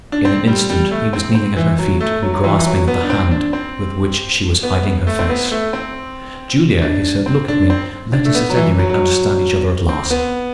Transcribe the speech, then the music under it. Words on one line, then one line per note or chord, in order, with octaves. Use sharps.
In an instant he was kneeling at her feet, and grasping at the hand with which she was hiding her face. "Julia," he said, "look at me; let us at any rate understand each other at last."
D4
C4
G3
G3
A3
C4
C4
E3
F#3
A3
F#3
F#3
E3
E3
F#3
B3
D4
C4
D4
C4
B3
A3
C4
B3
A3
C4
D4
C4
D4
C4
D4
A3
B3
F#3
E3
F#3
F#3
C4
B3